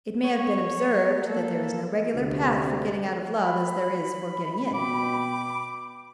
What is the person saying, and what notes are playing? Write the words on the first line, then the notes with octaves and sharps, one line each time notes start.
It may have been observed that there is no regular path for getting out of love as there is for getting in.
C#5
A#3 A4
D2 C3
B5
B2 G5 D6